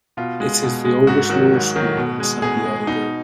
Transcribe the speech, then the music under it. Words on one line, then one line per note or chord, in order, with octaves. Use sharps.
It is the oldest law school in San Diego.
B2 F4
G#3
B2
G#3
G#2 F#4
D#3 F#3 F#4
G#2
D#3 F#3
B2
G#3
B2 G#4
G#3
B2 D#4